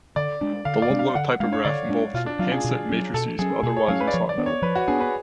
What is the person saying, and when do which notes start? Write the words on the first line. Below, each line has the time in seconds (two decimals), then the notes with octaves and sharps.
The Ludlow Typograph involved hand-set matrices, but otherwise used hot metal.
0.16 D3 D5
0.41 G#3 D4
0.65 D3 F5
0.82 D5
0.90 G#3 D4
0.99 F5
1.15 D3 F#5
1.40 G#3 F5
1.43 D4
1.53 C#5
1.65 D3 D5
1.89 G#3 D4
2.14 B2 F4
2.26 D4
2.39 F#3 F4
2.44 C#4
2.52 G#4
2.64 B2
2.89 F#3 C#4
3.14 B2 A4
3.39 F#3 C#4 G#4
3.63 B2 G#4
3.77 C#5
3.88 F#3 C#4 F5
4.00 B4
4.08 D5
4.13 F3 C#5
4.29 D5
4.38 B3 D4
4.46 C#5
4.62 F3 B4
4.75 F#4
4.88 B3 D4 G#4
5.00 B4